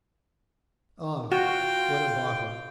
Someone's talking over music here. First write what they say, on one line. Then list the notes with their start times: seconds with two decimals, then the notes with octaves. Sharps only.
Ah! what a bottle!
1.32 F4 F#4 G5